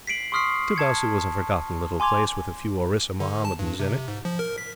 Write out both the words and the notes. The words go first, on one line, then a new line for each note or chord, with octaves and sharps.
Tibasu was a forgotten little place with a few Orissa Mohamedans in it.
B6 C7 D7 F#7
C6 C#6 D#6 F6 B6 C7
A5 G#6 C#7
G#5 C6 D6 G#6 F7
D3
A5
G2
C3
G#2
F3
A#4
B6